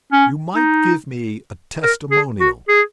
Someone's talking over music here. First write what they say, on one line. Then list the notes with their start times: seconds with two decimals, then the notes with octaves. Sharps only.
"You might give me a testimonial."
0.12 C#4
0.56 D#4
1.83 A#4
2.11 G#4
2.40 F#4
2.68 G#4